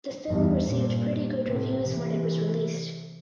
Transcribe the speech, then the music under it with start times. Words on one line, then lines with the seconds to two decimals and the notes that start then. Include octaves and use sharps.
The film received pretty good reviews when it was released.
0.29 E2 G2
0.68 G2 A#2
1.47 A2 C3
1.86 C3 E3